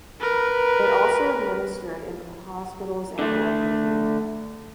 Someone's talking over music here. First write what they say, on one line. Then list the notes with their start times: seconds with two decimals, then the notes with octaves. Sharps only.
They also administered in hospitals and orphanages.
0.20 A#4 B4
3.19 D3 A3